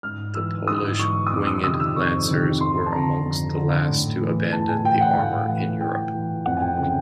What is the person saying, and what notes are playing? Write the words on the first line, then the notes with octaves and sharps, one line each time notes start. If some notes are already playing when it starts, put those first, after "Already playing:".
The Polish "winged" lancers were amongst the last to abandon the armour in Europe.
G#2 F6
E3 E6
G#2 D#6
E3 C#6
D#6
F2 D6
D#6
C3 D#3 D#6
E6
F2 C#6
C3 D#3
F2 C6
A5
D3 A#5
F2
D3
A2
E3
A2 A5
G#5
E3 G5
F#5
A2 F5
E3 F#5
A2 G5
E3
F2 F#5
G#5
G5
C#3 E3 G5